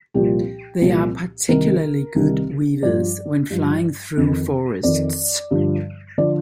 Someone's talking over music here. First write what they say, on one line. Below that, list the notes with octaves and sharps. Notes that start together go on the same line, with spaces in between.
They are particularly good weavers when flying through forests.
C2 A#2 F3 G4
C2 A#2 F3
C2 C3 D#3 A#4
C2 C3 D#3
G2 F3 D5
G2 F3
F2 D#3
F2 D#3 D5
G2 D3 F3
D3 F3 D5